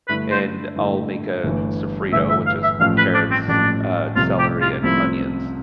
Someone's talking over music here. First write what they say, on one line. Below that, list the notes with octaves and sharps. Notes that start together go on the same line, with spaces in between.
and I'll make a sofrito, which is carrots, uh, celery, and onions,
G2 D3 A3 E4 B4
C5
G2 D3 A3 E4
G1 G2 E3 A3
G1 G2 E3 A3 E5
E5
F5
E5
A1 A2 F3 F5
B4
D4
C4
A1 A2 F3 D4
C2 C3 F3 A3 C4 F4
G4
F4
C2 C3 F3 A3 C4 E4